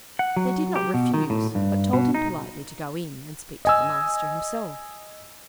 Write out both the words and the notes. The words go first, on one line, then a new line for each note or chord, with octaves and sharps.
They did not refuse, but told him politely to go in, and speak to the master himself.
F#5
F#3
G4
B2
D#3
A2
G2
B2
D#4
D#5 G#5 E6